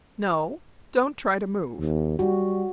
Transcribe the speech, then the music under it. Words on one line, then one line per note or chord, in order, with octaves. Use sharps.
No, don't try to move.
D#2
G3 F#4